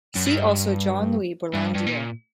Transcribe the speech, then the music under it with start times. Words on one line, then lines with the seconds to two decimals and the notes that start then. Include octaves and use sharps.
See also Jean-Louis Berlandier.
0.15 F#2
0.26 G2
1.54 G2
1.75 G2
1.87 A#2